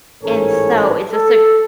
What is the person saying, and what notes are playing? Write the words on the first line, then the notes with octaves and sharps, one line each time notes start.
and so is this a c
A1 G#2 C#4 A4 A#4 C#5
A4